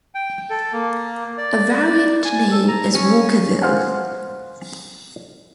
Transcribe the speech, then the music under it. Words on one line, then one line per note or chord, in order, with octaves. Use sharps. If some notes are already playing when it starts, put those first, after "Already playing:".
A variant name is "Walkerville".
G5
A4
A#3
D5
D5
G#5
A4
A#5
C#4
C5 F5 F#5 G#5